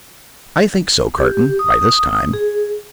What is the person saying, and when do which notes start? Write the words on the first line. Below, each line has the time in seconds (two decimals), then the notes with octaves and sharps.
"I think so, Carton, by this time."
1.18 G4
1.59 D#6
2.33 G#4